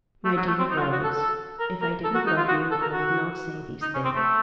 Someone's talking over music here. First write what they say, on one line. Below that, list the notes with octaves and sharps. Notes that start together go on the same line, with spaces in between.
'My dear boys, if I didn't love you, I would not say these things.
A3
F#3
A3
C4
D#4
F#4
F4
F#4
A4
A4
A#4
A#4
A4
F#4
D#4
F4
F#4
A4
A#4
F#4
D#4
C#4
C4
A3